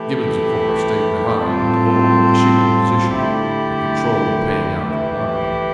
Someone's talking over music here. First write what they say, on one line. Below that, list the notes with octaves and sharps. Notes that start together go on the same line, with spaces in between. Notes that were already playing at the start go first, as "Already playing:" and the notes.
Gibbons, of course, stayed behind to hold the ship in position and control the paying out of the line.
Already playing: E3 A3 E4 G4
A2 G3 C4 F4 A4
D3 A3 E4 G4
E3 A3 E4 G4